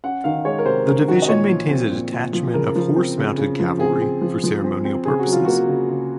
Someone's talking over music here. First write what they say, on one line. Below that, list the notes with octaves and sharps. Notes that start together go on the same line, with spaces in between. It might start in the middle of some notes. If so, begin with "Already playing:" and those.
The division maintains a detachment of horse-mounted cavalry for ceremonial purposes.
C#4 F#5
D#3 F5
G#3 C#5
A#4
C3 C5
C#4 A#4
D#3 F#4
D#5
A#2 C#5
F3
C4
A#2
A#2
F3
C#3 A#4
F3
C4
C#3
C#3
F3
C4 G#4
C4
F3
F3
C4
C4
C#3 G#4
F#4
F#3
F4
A#3 F#4
C#3
C#3